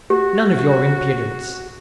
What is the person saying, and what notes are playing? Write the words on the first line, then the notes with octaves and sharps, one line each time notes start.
"None of your impudence!"
F#4 G4